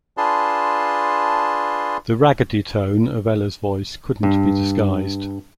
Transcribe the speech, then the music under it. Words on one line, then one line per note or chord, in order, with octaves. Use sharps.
The raggedy tone of Ella's voice couldn't be disguised.
D4 F4 G#4 B4 A5 C6
G2